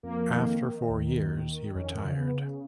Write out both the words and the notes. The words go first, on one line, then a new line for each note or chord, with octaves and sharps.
After four years, he retired.
F2 A#3
D#3
D#3
D#2
D#3
D#3
F2 C#4
C#3
B3
C#3